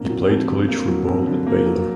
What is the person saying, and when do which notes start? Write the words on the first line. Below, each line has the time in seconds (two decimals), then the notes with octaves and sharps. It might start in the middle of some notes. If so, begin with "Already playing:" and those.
He played college football at Baylor.
Already playing: F2 D3 A#3
0.10 F#3
0.29 F2
0.48 D3
0.69 A#3
0.88 F#3
1.07 F2
1.27 D3
1.47 A#3
1.66 F#3